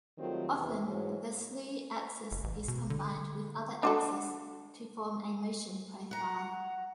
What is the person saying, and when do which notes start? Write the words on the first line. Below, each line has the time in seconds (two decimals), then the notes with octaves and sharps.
Often the slew axis is combined with other axis to form a motion profile.
0.18 D#3 F#3 G3 A3 C4 F4
0.53 E2 C3
0.85 G#2 E3 F#3 G#3
2.32 F#1
2.44 A1
2.68 B2
2.90 D3
3.83 D4 F#4 A4
6.11 F#5 A#5